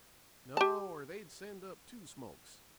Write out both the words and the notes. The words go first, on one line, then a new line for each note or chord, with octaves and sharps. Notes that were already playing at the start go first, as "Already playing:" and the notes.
'No, or they'd send up two smokes.
G4 A5